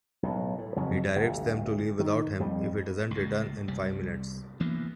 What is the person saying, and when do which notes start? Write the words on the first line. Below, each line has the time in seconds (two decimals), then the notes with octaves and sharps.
He directs them to leave without him if he doesn't return in five minutes.
0.23 B1 A2
0.58 A2
0.76 F2 C#3 F#3
1.15 G1 D2
1.99 D#3
2.40 F2 G3
3.11 C#2 A#2
3.68 C2 G3
4.60 D2 E3 A#3 B3